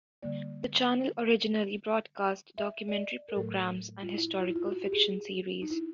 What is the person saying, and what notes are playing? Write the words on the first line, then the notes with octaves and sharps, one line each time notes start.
The channel originally broadcast documentary programs and historical fiction series.
D3 G3 A#3 D5
E5
D5
D#5
A#4
A2 F#3 A3 A4
F4
E4
F4
E4
F4
F#4
G4
G#4
D#4
E4